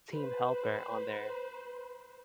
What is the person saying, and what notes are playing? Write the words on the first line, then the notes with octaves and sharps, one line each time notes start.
team helper on there.
B4 C5